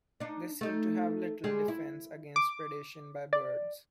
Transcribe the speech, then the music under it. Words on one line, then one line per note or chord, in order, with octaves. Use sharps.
They seem to have little defence against predation by birds.
D4 D#4
A3 D#4
G3 G#3 G#4
E4
D6
D5